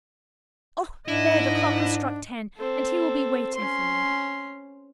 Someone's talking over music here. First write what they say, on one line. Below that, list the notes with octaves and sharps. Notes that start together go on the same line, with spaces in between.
Oh, there, the clock has struck ten, and he will be waiting for me.
G#2 D4 E4 D#5
C4 A4
C#4 C6